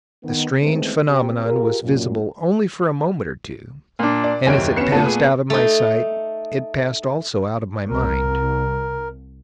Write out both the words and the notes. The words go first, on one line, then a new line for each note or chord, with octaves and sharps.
The strange phenomenon was visible only for a moment or two, and as it passed out of my sight it passed also out of my mind.
D#3 B3
D#3 E3 G#3 A3 B3 C4
C4 G4
F4 G4 G#4 A#4
F#2 A#2
A#2 D4
D5
F#1 D#2 C#4 D7
B3 C#4 C7 C#7 E7
A#2 A3 B3 A5
G#4
A3 D#4
C2 A#4